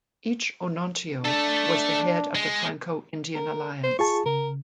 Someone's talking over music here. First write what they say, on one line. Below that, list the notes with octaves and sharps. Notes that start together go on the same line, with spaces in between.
Each Onontio was the head of the Franco-Indian alliance.
A3 D4 A4
G#3
A#4
C5
F4 G#4 A5 C#6
C#3 A#4